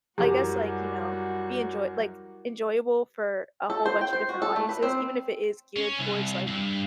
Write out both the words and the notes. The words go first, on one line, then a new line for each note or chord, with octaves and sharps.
I guess like, you know, be enjoy like, enjoyable for a whole bunch of different audiences even if it is geared towards like,
F#2 G3 E4 F#4 G4 A#4 A#5 D6
A4
C5
G5
C5
F#4
A4
A3
B4
C4
C#4
C2
G2